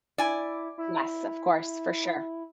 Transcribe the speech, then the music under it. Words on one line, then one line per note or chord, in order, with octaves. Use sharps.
Yes, of course, for sure.
E4 D5 G#5
E4